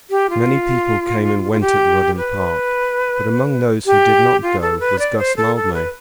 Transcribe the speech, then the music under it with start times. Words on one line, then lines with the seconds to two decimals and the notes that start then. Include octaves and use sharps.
Many people came and went at Rudham Park, but among those who did not go was Guss Mildmay.
0.10 G4
0.30 F4
1.52 F4
1.61 G4
2.17 B4
3.86 G4
4.42 F4
4.61 A4
4.80 B4
4.99 D5
5.18 C5
5.37 A4
5.56 A4
5.74 B4